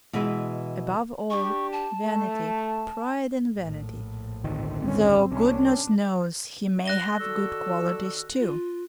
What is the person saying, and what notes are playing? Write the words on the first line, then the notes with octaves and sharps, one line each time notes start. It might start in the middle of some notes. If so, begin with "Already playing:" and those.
Above all, vanity, pride and vanity, though goodness knows he may have good qualities too....
B2 E3 G#3 B4 E5
D4 G4 C#6
A5
A3
A#1 A2
G1 D2 D#3 C4
C#4
C2 C#4 D4
F#6 A#6 G7
D#3 F#4 A4 D5 C#6 E6
F4